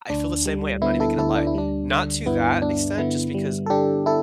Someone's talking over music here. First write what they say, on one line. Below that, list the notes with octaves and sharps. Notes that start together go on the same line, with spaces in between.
I feel the same way, I'm not even gonna lie, not to that extent, just because
D2 D4
G3
D3 B3 E4
E4 A4
D2 E4 A4
D4
E4
G3 D4
D3
G2 B3 E4
G2 D4
D3 B3 E4
G3
A4
D3 D4 G4
E4 A4